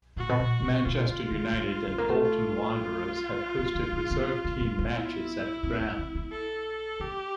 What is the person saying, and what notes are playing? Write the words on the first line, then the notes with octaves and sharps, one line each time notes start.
Manchester United and Bolton Wanderers have hosted reserve-team matches at the ground.
A2 F#4
B2
A#2
B2
B2 F4
C3
D#3
G#3
A3
A#3
A3
F4
A#3
B3
A#3
B3
A#3
A#3
B3
E4
C4
B3
C4
B3
A4
A#3 G4